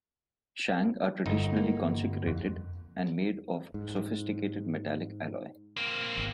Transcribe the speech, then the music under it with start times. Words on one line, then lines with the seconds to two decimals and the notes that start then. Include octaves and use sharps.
Shang are traditionally consecrated and made of sophisticated metallic alloy.
1.26 G1 D#4
1.56 A#3
2.27 F2
3.74 G#2
5.77 A#3 C4
6.18 G#1